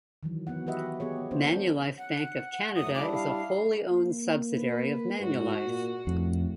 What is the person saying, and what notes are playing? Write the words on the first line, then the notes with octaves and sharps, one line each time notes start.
Manulife Bank of Canada is a wholly owned subsidiary of Manulife.
D#3 E3 F#3
B3 F#4 F#5
F#4 G4 B4 D#5 E5 F#5
B3 G4 G#4 C#5
A#3 C#4 D4 C5
F#5
F#2 F#3 A3 D#6
G3 D4 E4 D6
F5
A#3
B4
G#2 F#4
A#2
F2 A2